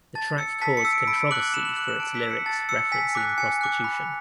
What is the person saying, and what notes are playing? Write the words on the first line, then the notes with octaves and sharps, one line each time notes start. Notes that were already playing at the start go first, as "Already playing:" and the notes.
The track caused controversy for its lyrics referencing prostitution.
A5 A6
E6 C#7
A5 B6
C#7
E6
D7
B5 D7
D6 F#6 F#7
B5 E7
F#7
D6 F#6 F#7
E7
A5 D7
B6
E6
C#7
A5 A6
E6 C#7
G#5 B6
D6 F#6
G#5 C#7
D6 F#6
B5